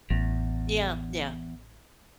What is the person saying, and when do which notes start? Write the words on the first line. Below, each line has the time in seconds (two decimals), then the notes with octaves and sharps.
Yeah, yeah,
0.10 A1 E2